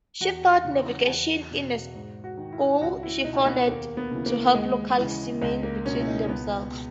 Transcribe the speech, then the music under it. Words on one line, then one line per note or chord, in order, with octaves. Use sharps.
She taught navigation in a school she founded to help local seamen better themselves.
E2 F#4
C#3 E3
E2
B2
G#2
F#4
D#3
E4
C#2 F#4
E4
B2 D#4
B3
D#2 A#3
B3
C#3 E3
A#3
D#2 G#3
C#3 E3
C#2 G#3
A#3
B2 C#4
E4
D#4
C#2 B3
B2